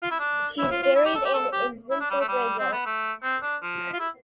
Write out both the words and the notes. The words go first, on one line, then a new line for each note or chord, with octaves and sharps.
He was buried in Azimpur Graveyard.
F4
E4
D4
E4
F4
F4
E4
G4
A4
G4
A4
G4
E4
D4
G3
A3
G3
C4
B3
A3
C4
D4
F3
F4
E4